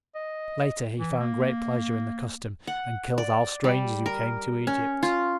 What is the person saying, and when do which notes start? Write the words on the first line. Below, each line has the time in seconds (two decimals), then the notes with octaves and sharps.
Later he found great pleasure in the custom and killed all strangers who came to Egypt.
0.15 D#5
1.00 E3
1.20 A#3
2.67 F#5
3.18 D5
3.64 G3
4.06 A#4
4.67 C#4
5.03 F4